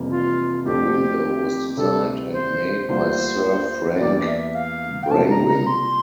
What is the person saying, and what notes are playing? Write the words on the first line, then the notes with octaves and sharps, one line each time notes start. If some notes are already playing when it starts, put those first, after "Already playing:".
The window was designed and made by Sir Frank Brangwyn.
Already playing: F1 F2 E3 G3 A#3
F4
F2 D3 F3 A3 C4 G4
D2 C3 G3 D4 G4 A4
C5
D2 D3 G3 A#3 F4 C5
E2 E3 A#3 E4 G4 D5
D5
E5
F5
G5
C2 C3 G3 A#3 F4 A5
A#5
A#5
C6